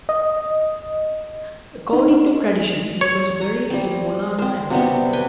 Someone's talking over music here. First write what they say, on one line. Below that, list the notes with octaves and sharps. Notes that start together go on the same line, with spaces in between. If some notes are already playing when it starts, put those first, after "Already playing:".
According to tradition he was buried in Molana Abbey.
D#5
D#4
C#5
A#5
G3 C4
C4 C5
C3 F#3 G3 B3
B4 G5 G#5